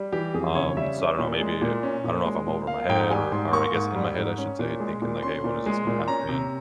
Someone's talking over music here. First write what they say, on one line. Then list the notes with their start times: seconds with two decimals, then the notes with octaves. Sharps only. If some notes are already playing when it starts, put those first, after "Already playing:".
um, so I don't know, maybe I don't know if I'm over my head or or I guess, in my head, I should say, thinking like, hey, when is this gonna happen?
Already playing: G3
0.12 E3 G4
0.34 F2 G#4
0.55 C#3 C#5
0.77 G3 E5
0.98 C#4
1.19 A#2
1.40 G#3
1.62 A#2
1.83 C#4
2.04 A#2
2.26 G#3
2.47 A#2
2.67 A#3 F5
2.89 G#2 G5
3.01 G5
3.10 G3 G#5
3.32 G#2 C6
3.53 A#3 C#6
3.74 G#2
3.95 G3
4.17 G#2
4.38 C#4
4.59 A#2
4.80 G#3
5.02 A#2
5.23 C#4 C6
5.44 A#2
5.66 G#3
5.87 A#2
6.08 C#4 A#5
6.29 C3